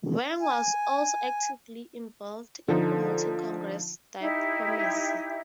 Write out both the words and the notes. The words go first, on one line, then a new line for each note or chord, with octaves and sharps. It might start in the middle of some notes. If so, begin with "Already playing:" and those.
Wang was also actively involved in promoting congress diplomacy.
G#5
D3 F3 D#4 A4
D#4 E4 G4 E5